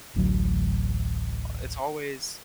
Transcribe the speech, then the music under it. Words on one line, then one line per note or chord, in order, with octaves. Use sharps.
a it's always,
D1 A1 D2 F#3